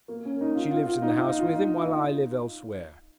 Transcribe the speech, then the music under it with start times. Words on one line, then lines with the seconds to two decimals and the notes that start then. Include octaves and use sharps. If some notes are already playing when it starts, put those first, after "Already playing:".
She lives in the house with him, while I live elsewhere.
0.08 A#3
0.25 C#4
0.41 D#4
0.55 F4
0.71 F4
0.86 F4
1.02 D#4
1.15 F4
1.27 D#4
1.40 F4
1.53 D#4
1.73 F4
1.85 D#4